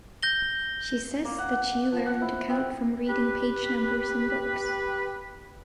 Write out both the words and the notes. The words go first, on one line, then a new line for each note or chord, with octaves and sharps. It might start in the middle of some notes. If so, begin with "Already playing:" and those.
She says that she learnt to count from reading page numbers in books.
G6 A#6 G7
A#3
F#5
F#5
F3
F#5
E4
C4
G4 B4